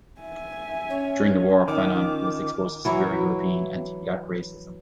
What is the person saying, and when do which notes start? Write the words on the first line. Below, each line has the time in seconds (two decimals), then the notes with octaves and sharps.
During the war, Fanon was exposed to severe European anti-black racism.
0.21 E5 G#5
0.90 C#4 C#5
1.68 D#3 F4 D6
2.85 E3 F#3 E4